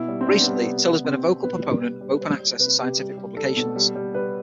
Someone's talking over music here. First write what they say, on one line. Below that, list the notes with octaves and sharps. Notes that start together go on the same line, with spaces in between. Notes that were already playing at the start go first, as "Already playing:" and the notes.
Recently, Till has been a vocal proponent of open access to scientific publications.
Already playing: B2 E4
G3
C4
G3 D4
B3
G3
B3
C3
C3
C3 C4
C3
B2 B4
G3
G3
G3
B4
G3 C5
G3
C3 B4
C3 G4
G3
G3
G3 A4
B2 A4
G3
G3
G3 B4